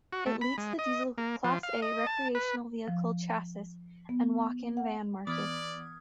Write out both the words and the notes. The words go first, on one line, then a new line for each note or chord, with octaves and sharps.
It leads the diesel Class A recreational vehicle chassis and walk-in van markets.
F#4
A3
B5
G#3
D#5
A#3
F3
F5
D#5
A5
B4
F3
B3
F#5
E3 B3 D5 D#6 F6 G#6